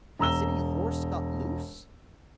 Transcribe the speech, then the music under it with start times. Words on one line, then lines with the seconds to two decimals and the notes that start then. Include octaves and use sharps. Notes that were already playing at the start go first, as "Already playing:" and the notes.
"Has any horse got loose?"
0.19 E1 A#5 E6 G7